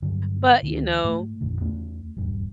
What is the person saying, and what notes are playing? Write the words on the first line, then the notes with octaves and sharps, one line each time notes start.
but you know,
G2 D3 F#3
D2 D#3
G#2 A3
G#1 F2 A#2 D3
E2 A3 C#4
D#1 E2 G2